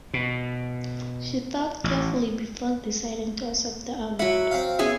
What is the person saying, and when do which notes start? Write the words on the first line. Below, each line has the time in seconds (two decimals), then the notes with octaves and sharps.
She thought carefully before deciding to accept the award.
0.14 B2
1.84 A1
4.19 F#3 E4 F#5
4.51 C4 F5
4.79 B3 C#4 G#4 E5